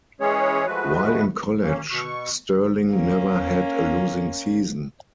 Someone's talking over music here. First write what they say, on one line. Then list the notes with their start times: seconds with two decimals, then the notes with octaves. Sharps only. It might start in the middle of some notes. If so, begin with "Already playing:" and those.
While in college Stirling never had a losing season.
0.21 E3 G#3 C#4 G#4 C#5
0.66 F3 G#3 A3 F#4 B4
1.62 A#3 C#4
1.90 B2 C#6
2.93 A#3 C#4